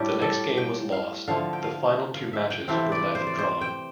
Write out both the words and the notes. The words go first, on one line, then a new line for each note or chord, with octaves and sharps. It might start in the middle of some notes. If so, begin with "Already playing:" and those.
The next game was lost; the final two matches were left drawn.
Already playing: A2 G3 D4 G4
A4
G5
F5
D3 F3 A3 F5
G5
F5
F5
E5
G5
C3 E3 A3 C4 F5
D5
C5
D5
C5
G5